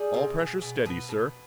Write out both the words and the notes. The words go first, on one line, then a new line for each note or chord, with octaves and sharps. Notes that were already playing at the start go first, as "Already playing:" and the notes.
"All pressures steady, sir."
Already playing: G3 G#4
C3
B2
B2
B2 B4
B2